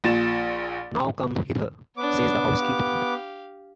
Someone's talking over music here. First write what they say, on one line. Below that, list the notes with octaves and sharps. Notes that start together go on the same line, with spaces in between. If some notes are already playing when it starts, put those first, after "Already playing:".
"Now, come hither," says the housekeeper.
A#1 A#2 A6 E7
B3 D4 C#5 D6
G4 F5